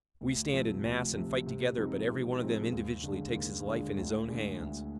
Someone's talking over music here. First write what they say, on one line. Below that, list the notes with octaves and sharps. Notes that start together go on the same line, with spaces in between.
We stand in mass and fight together, but every one of them individually takes his life in his own hands.
D2
C3 F3 C4
D2
C3 F3 C4
C3
F3 G#3 C4 D#4
C3
F3 G#3 C4 D#4
D#2
D3 G#3 D4
D#2
D3 G#3 D4
D2
D3 G#3 D4 G#4
D2